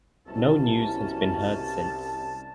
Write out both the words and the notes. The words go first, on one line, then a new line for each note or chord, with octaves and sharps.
No news has been heard since.
C2 B2 F#3 C#4 E4 A5